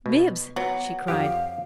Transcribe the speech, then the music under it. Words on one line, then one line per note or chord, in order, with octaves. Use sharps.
"Bibbs!" she cried.
B2
F#3 B3
F2 F3 G4 F5